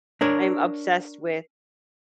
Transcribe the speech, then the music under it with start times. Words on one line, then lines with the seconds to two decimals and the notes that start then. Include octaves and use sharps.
I am obsessed with
0.21 D4 A#4 C#5